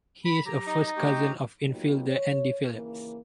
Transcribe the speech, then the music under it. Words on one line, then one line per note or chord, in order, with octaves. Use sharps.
He is a first cousin of infielder Andy Phillips.
B5
F#3 G4 A#5
D#4
A3 F#4 G4
F#3 A#3 B3 D#4 F4 G4
C#5
D#2 C#3 E3 A#3